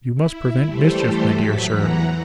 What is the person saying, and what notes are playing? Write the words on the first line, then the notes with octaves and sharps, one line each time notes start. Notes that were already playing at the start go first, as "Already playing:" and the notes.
You must prevent mischief, my dear Sir.
E4
E3 G3 A3 G4 A4 C5
A2 F#3 B6
E2 E3 F#5 A#5